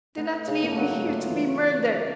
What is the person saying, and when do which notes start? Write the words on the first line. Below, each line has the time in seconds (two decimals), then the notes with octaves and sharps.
Do not leave me here to be murdered!
0.17 A3 B3
0.48 C#3
0.63 A#3
0.71 A3
0.77 F#3 A#3
0.97 G#3
1.09 A3 F4
1.30 E3